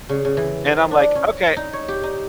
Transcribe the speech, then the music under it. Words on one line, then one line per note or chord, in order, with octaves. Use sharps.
and I'm like, "Okay,
C#3
C#3
E3
C5
D4
C#4
D#4
C#5
G4
D#4